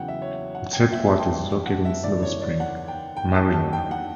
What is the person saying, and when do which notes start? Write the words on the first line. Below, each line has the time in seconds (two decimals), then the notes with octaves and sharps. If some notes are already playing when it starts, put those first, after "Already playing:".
Its headquarters is located in Silver Spring, Maryland.
Already playing: E2 C#3 F#3 F#5 G5
0.08 E5
0.22 C#5
0.55 F#5
0.73 G5
0.92 E5
1.06 A5
1.20 G5
1.66 F#5
1.85 E5
2.03 F#1 E2 D3 D5
2.23 C#5
2.41 D5
2.60 F#5
2.88 G5
3.17 G5
3.35 A5
3.53 A5
3.73 G5
3.91 F#5